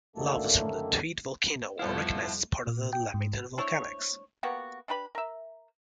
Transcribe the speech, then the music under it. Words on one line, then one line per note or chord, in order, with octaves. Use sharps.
Lavas from the Tweed Volcano are recognised as part of the Lamington Volcanics.
F#2 D3 D#3 A3 A#3 A4
F2 B2 F3 G3 E4 A4 F5 F#5
A#2
G5
G#2
D4 E4 C5 C#5
A#3 B3 F#4 G4
D4 G4 B4 B5
A#4 E5